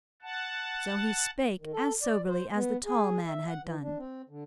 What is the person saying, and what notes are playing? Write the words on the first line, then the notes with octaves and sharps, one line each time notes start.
So he spake as soberly as the tall man had done.
F#5 A5
D#3
A4
D5
C5
B3
G#4
E5
F#5
E3
D4
C4
D3